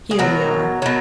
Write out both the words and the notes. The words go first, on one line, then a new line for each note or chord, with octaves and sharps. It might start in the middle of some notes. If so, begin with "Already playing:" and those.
Here we are.
G#4
B2 F#3 A#4
B2 F#3